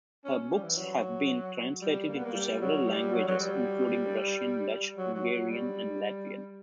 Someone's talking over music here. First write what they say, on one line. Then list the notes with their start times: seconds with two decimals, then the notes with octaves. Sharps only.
Her books have been translated into several languages, including Russian, Dutch, Hungarian and Latvian.
0.25 C#4
0.51 G3
0.64 E3
0.77 F#3
1.82 G3
2.09 A#3
2.16 B3
2.24 A#3
2.34 G3
2.61 F#3
2.87 G3
3.13 F#3
3.28 F#3
3.40 G3
4.97 F#3
5.14 F#3
5.32 F#3
5.49 G3